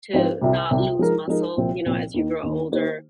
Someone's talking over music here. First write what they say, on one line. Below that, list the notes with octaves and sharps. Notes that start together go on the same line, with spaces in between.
to not lose muscle, you know, as you grow older.
G#2 F3 C4 F4 C5
C2 C3 G3
C2 C3 G3
F3 G#3 D#4 A#4
F3 G#3 D#4 A#4
C2 A#2 F3 C4
C2 A#2 F3 C4
D#2 D#3 A#3 D#4
D#2 D#3 A#3 D#4
D#3 A#3 D#4 G4 C5